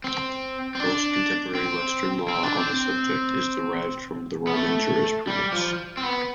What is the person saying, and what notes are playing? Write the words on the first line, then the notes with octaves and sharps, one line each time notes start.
Most contemporary Western law on the subject is derived from the Roman jurisprudence.
C4
C4
D4
C4
C4
D4
C4
B3
A3
G3
F3
C4
B3